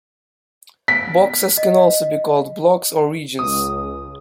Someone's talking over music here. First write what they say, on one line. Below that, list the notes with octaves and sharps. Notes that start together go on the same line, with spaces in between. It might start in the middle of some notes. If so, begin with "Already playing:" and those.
Boxes can also be called blocks or regions.
B6 D7
D#5
C#2 D#6